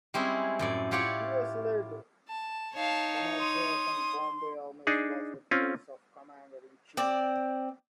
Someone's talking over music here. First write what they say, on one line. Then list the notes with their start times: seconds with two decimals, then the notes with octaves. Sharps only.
Two years later the Madras and Bombay Armies lost their posts of Commander-in-Chief.
0.14 G3 G#3 C4 C#4 E4 G#4
0.59 F#2 A2 D5
0.91 E4 F4 G4 C#5 D5 F#5
2.28 A5
2.75 D#4 C#5 F5 A5
3.40 C6 D#6
4.87 D4 D#4 G#4
5.51 C4 C#4 F4
6.97 C4 D5